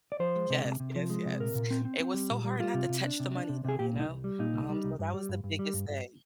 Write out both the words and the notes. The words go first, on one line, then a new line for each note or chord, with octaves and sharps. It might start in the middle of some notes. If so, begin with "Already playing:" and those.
yes, yes, yes. It was so hard not to touch the money though, you know? Um, so that was the biggest thing.
D5
F3 C5
G#3
C3
C3
C3
F3
G#3
C3
A#2 A#4
A#2
C4
C4
C4
G3
A#2
G3
G3 F4
C3
C3
D4
C3
D4
C3
C3 G#4
A#2 G4
C2
D#4
C2
G3
A#2 D#4
C2
G3
C2
G2
G3
G2
G2
G3
G2
G2